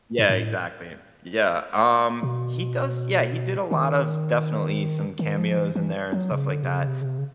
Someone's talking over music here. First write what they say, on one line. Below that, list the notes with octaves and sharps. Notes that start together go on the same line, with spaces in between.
Yeah, exactly. Yeah, um, he does Yeah, he did a lot of definitely some cameos in there and stuff like that,
G#2
G#2
A2
B2
D#3
D#3
F3
E3
E3
F#3
C#3
D3
C3
C#3
C3
C#3
C3
C#3